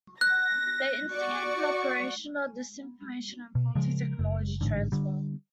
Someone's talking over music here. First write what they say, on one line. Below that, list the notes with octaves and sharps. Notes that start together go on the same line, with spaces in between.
They instigated an operation of disinformation and faulty technology transfer.
F#6 A#6
F#4 D5 C#6
B2
C#3 F3 G#3
F#1
A1 G#2 D3
D3 G3